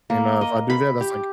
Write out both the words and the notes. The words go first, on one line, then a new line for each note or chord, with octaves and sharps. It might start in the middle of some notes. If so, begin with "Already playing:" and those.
and, uh, if I do that, that's, like,
A#3
D#5
B5
G4